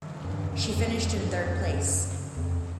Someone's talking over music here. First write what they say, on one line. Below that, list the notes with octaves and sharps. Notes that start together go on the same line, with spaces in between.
She finished in third place.
F#2
G2
F#2
F2
F2
G2
F2
F#2
E2
F2